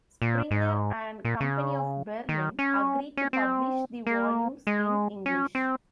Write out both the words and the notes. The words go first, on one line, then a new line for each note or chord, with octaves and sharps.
Springer and Company of Berlin agreed to publish the volumes in English.
A#2
G#2
A#2
C#3
D#3
C#4
C#4
C4
A#3
G#3
C#4
C4